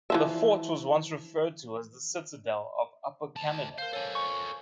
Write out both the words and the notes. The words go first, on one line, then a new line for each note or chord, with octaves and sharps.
The fort was once referred to as the "Citadel of Upper Canada".
E3 F3 E5
D2 A5
A#4 C5 F5
A4 C5 C#5 G#5
G#5 C#6